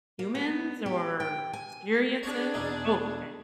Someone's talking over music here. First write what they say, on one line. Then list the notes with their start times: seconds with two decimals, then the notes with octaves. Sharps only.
humans or experiences? Oh, okay
0.19 A#3
0.35 B3
0.86 G4
1.20 G5
1.53 G#5
2.23 D4 G#4 C#5 D5
2.54 E2 B2 D#4